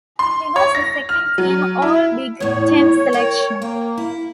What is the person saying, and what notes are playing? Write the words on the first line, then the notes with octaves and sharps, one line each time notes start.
He was a Second Team All-Big Ten selection.
C6
C#5
A#6
F6
F#3
E4
E2 A2 C#5
A#4 G5
A#3 G5
E4